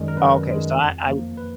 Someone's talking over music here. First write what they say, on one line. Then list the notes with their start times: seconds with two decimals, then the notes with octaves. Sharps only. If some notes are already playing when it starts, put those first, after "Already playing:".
Okay. So I I
Already playing: F#2 D#3 G#3 D5
0.08 A#4
0.17 F#2 B4
0.47 D#3 G#3
0.77 F2
1.07 F3 A#3
1.37 B4